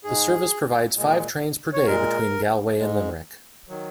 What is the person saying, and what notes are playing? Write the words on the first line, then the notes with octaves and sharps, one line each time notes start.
The service provides five trains per day between Galway and Limerick.
G#2 G#3 G#4
A#2 G#3
C#5
A#2 G#3 A#4
G#2 G#3
D#3 F#3